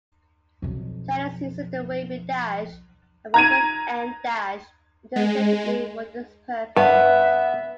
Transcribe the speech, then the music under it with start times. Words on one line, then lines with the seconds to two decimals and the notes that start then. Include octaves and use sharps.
Chinese uses the wavy dash and full-width em dash interchangeably for this purpose.
0.62 B1 F2
3.34 A#5 G#6 D#7
5.16 G#3
6.77 G2 B3 E5